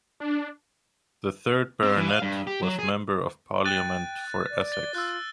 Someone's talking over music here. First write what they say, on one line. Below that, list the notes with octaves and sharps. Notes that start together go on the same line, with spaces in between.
The third Baronet was Member of Parliament for Essex.
D4
C4
E3
F5
G2
G4
F#3
G#4
G5 F#6 A6 D#7
D5
A6 G7
F4 E6 F#6